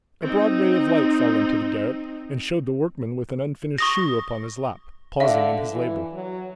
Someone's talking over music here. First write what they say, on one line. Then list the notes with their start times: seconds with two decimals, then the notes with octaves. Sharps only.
A broad ray of light fell into the garret, and showed the workman with an unfinished shoe upon his lap, pausing in his labour.
0.22 C4 D#4
3.78 C#6 D#6 A#6
5.20 D3 E5 F5
5.70 E3
6.13 F#3